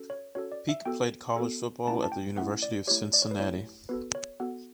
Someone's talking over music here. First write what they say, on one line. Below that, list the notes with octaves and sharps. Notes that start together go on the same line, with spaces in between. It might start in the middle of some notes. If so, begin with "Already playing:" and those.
Peek played college football at the University of Cincinnati.
Already playing: C#4 F#4 A4
C#5
C#4 F#4 A4 C#5
D5
E5
B3 F#4 A4 G5
B3 F#4 A4
A3 C#4 E4 A5
A5
G5
A3 C#4 E4 F#5
D5
A3 E4 G4 C#5
D5
C#5
B4
A3 E4 G4 C#5
B3 F#4 A4 B4
C#5
B3 F#4 A4 F#5